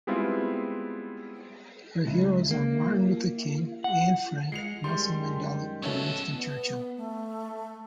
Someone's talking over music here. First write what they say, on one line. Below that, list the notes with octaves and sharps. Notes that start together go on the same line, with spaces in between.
Her heroes are Martin Luther King, Anne Frank, Nelson Mandela and Winston Churchill.
G3 G#3 B3 C4 E4 F4
C#2
A#3
F#5
G#3 C7 C#7 F7
F#2 D#3 G3 G#3 C6
B2 F#3 A3 C#4 A4
B3
A3